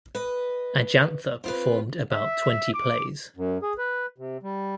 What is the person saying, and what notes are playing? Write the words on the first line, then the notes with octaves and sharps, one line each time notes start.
Ajantha performed about twenty plays.
B4 D#5
C4 F4 B4
E5
D6
F#2
G#4
B4
C3
G3